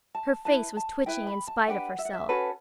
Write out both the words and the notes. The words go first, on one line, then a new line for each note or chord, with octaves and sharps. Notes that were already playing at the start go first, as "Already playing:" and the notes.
Her face was twitching in spite of herself.
A5
E4 B4 A5
A5
E4 B4 G5
B5
A5
D4 G4 B4 F#5
E5
F#5
E5
C#4 F#4 A4 B4